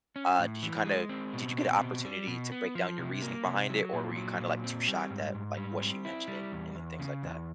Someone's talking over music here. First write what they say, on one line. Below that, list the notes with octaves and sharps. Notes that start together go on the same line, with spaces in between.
Uh, did you kinda did you get an opportunity to break down your reasoning behind it, or were you kinda, like, too shocked at, like, what she mentioned and and then things like that?
C#4
A2
E3
G#3
C4
B2
C4
B2
G3
B2
B3
F3
C3
A#3
C3
F#3
A#2
F#3
A#2
C4
G3
G#2
G#2
G3
C4
E4
G3
E2
E2
C#3
E2